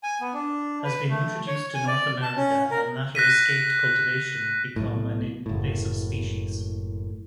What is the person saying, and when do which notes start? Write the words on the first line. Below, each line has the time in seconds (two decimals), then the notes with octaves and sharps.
Has been introduced to North America and latter escaped cultivation become an invasive species.
0.03 G#5
0.21 B3
0.33 D4
0.84 B4
1.09 A3
1.47 C#5
1.75 G#5
1.87 D5
2.22 A5
2.37 C#4
2.71 A#4
3.15 F#6 A#6 B6 D#7
4.76 B1 A2
5.46 F#1 A2